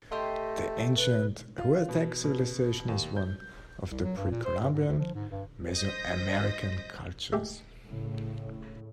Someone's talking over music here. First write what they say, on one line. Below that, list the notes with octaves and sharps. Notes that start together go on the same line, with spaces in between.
The ancient Huastec civilization is one of the pre-Columbian Mesoamerican cultures.
A3 G4 D#5 C6
B4
F4
B2
B2
D#2
G6
C2
F#3
G2
A#2
C5
G2
G#2
D2
F3
G#2
G2
C5 D#5 D#6 G6 A#6 B6
G#3 A3 G4
A2 C#3